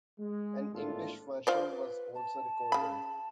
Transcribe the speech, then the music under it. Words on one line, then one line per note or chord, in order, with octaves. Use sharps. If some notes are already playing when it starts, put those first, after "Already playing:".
An English version was also recorded.
G#3
G#1 A2 A#3 D4 F4 A4
F4 C5 D5
B4
A5
C#3 B5